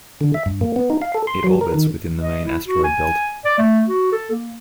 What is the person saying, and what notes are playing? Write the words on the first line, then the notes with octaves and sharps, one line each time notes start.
It orbits within the main asteroid belt.
D3
E5
G2
A#3
B3
D#4
F5
A4
C6
F#3
A#4
D#3
D#5
E4
F#4
G#5
D5
A3
F#4
A4
A#3